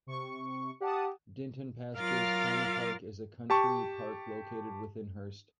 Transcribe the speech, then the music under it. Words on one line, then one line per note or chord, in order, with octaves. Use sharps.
Dinton Pastures Country Park is a country park located within Hurst.
C3 C#6
G4 F#5 A5 D#6
F#3 F4 A#4 F5 D6 A6
G4 A5 C#6